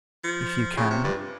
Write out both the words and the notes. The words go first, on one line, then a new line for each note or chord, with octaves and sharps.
"If you can."
F3
C#3
C3
G2